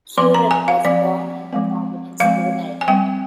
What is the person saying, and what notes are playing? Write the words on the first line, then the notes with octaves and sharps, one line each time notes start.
Curran was born in Providence, Rhode Island.
F3 C4 C6
A#5
G#5
F5
F3 C4 D5
F3 G#3 C4
F3 G#3 C4 F5
G#5
G3 C4 G5